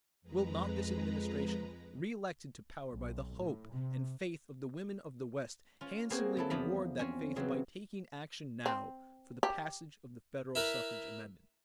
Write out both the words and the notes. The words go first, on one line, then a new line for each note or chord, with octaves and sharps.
Will not this Administration, reelected to power by the hope and faith of the women of the West, handsomely reward that faith by taking action now for the passage of the federal suffrage amendment?
F2 G#3 B4 A#5
B1
A2
C3
C#4 F4
A#3 C4 F#4 G#4 C5 D#5
F#3 E4 A4
E2 F3 A#5 B5
C4 C#4
C#3 E3 F#3 C4
C4
G4
E4 A#4 B4